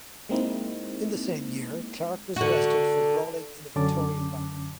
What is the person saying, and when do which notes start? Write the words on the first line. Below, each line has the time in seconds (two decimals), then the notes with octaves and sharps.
In the same year, Clark was arrested for brawling in a Victorian bar.
0.29 G#3 A#3 C4 D#4 E4
2.36 D3 F#4
3.76 F#2 D3 C#4 A5 D6